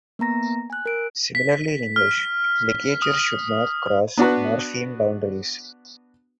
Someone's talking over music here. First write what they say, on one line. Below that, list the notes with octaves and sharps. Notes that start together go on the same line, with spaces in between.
Similarly in English, ligatures should not cross morpheme boundaries.
A#3 B3 A#5 A#6
G#5 F#6
A#4 D7
B6
F6
D#6
B3 D4 F#4 B4